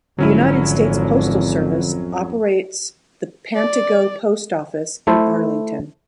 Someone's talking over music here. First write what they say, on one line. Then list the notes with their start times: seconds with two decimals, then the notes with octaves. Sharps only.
The United States Postal Service operates the Pantego Post Office in Arlington.
0.19 G#1 F2 D3 F#3 C#4 E4
3.54 D5
5.07 A3 E4 A4 C5